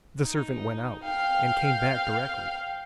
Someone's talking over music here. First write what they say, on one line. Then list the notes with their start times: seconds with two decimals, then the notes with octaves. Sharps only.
The servant went out, and came back directly.
0.21 D#4
1.03 F5 G5